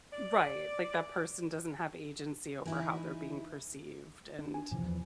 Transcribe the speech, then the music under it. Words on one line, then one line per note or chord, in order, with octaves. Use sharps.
Right, like, that person doesn't have agency over how they're being perceived, and
D5
E3 D#4 E4 B4 G#5
D4
G#5
A2 C3 E3 F3
E2 E3